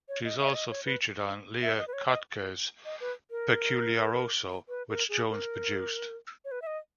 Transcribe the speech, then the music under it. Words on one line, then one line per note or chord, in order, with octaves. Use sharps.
She is also featured on Leo Kottke's "Peculiaroso," which Jones produced.
C#5
D#5
E5
C#5
D#5
C#5
B4
E5
D#5
B4
C#5
D#5
D#5
B4
A#4
B4
A#4
G#4
A#4
C#5
B4
E5
D#5